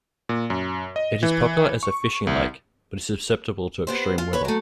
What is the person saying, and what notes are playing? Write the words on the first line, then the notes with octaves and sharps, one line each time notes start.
It is popular as a fishing lake, but is susceptible to extreme weather.
A#2
F#2
D#5
E3
C#6
C2
B3 G4 C5
F4
B4 C#5
F#3 A3